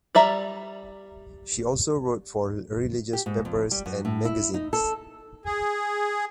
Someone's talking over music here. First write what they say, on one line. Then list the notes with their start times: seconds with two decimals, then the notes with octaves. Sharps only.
She also wrote for religious papers and magazines.
0.15 G3 D5 E5 A#5
3.13 G4
3.26 G#2
3.45 F2
3.72 G3
3.86 F#2
4.05 A2
4.25 E4
4.54 D#4
4.73 A4
5.45 G#4